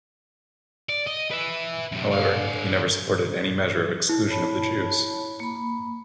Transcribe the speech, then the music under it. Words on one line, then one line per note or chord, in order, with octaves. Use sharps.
However, he never supported any measure of exclusion of the Jews.
D5
D#5
B4 E5
F#2 C3
D3 F5
E4
C#5 A5 B5
A#3 B5